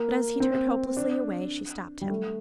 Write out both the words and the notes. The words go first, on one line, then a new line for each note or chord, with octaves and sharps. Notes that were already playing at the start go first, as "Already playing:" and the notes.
But as he turned hopelessly away, she stopped him.
Already playing: A#3
C4
D4
G3
A3